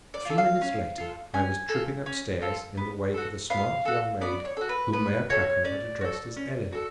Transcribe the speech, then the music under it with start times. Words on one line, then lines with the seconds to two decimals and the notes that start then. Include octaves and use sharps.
A few minutes later I was tripping up-stairs in the wake of a smart young maid whom Mayor Packard had addressed as Ellen.
0.14 D5
0.25 F4 A4
0.38 F5
0.61 C#4
0.98 F4 A4
1.34 C#4 G#5
1.69 F4 A4
2.06 C#4
2.42 F4 A4
2.77 B3
3.14 F#4 A4
3.50 B3 F5
3.85 F#4 A4
4.21 B3 D5
4.45 C#5
4.57 F#4 A4
4.69 B4
4.93 B3 B4
5.29 F#4 A4 C#5
5.64 C#4 D5
6.01 F#4 A4
6.36 C#4
6.72 F#4 A4